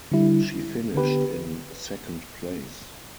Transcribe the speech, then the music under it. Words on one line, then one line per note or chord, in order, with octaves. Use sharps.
She finished in second place.
D3 G3 E4
D3 B3 G4 B4